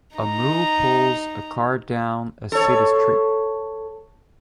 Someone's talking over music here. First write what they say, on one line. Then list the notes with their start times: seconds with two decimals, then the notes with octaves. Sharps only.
A mule pulls a cart down a city street.
0.16 D#4 A#5
2.52 A4 C#5